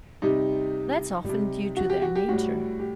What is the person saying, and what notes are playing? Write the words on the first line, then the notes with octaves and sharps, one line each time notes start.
That's often due to their nature.
C3 G3 D#4
C3 G3
F#4
G4
F#4
G4
A2 G3 F#4
G4